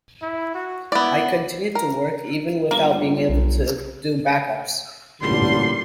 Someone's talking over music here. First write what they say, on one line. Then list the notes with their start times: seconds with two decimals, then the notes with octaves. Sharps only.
I continued to work even without being able to do backups.
0.22 E4
0.55 F#4
0.92 B3 E4 D5
1.75 A#4
2.71 G1 A#3
3.29 B1
5.21 A1 A#2 D3 G3 C6